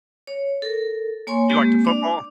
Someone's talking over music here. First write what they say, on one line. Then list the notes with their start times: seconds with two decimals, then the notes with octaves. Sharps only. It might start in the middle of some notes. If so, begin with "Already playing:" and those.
You like the football?
0.27 C#5
0.62 A4 A#4
1.27 A#3 C#5 G#5 C6 C#6
1.50 G#3 A#3 C4 G4
1.85 D4 D5 D6